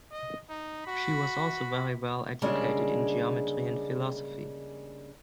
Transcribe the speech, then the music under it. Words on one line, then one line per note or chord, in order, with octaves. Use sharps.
She was also very well educated in geometry and philosophy.
D#5
D#4
F#4 B5
C#3 G3 G#3 A#3 D4